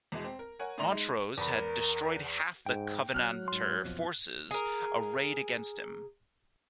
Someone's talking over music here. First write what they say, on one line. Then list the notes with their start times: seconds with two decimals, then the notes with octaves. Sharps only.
Montrose had destroyed half the Covenanter forces arrayed against him.
0.12 E2 B2 G#3
0.24 C4
0.39 A#4
0.59 A#4 C#5 F#5 G#5
0.78 A2 D5 E5 A#5 C6 F7
0.90 G#3 D#4
1.37 E2 A#4 B5
2.66 G#2 G5
3.14 F#3 F6 F#6
3.48 G#2 C6
3.84 F2 B2 F3
4.51 G#4 A#4